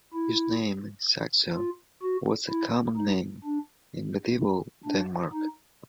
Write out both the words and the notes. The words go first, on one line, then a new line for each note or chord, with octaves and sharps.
His name Saxo was a common name in medieval Denmark.
E4
F4
F#4
E4
D#4
D4
D4
D#4